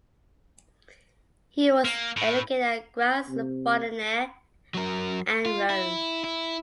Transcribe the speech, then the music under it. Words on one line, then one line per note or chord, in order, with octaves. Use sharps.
He was educated at Graz, Bologna and Rome.
A#3
A2
C3
F#3 A#4
F4
E4
E4